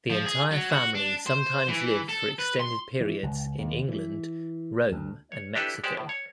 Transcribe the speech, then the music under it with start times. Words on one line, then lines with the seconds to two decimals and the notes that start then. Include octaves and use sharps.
The entire family sometimes lived for extended periods in England, Rome and Mexico.
0.10 F3
0.26 G#4
0.51 F#3
0.70 F#4
0.95 D4
1.27 C5
1.69 E3
2.08 A4
2.38 B4
2.59 C6
3.00 E3
3.23 C#2
3.58 D#2
3.88 E3
4.92 D2
5.32 C#5
5.55 D4 E4 G4 A4 B4
5.84 G#3 G4 C5 D5 G5
5.97 A2
6.09 C#5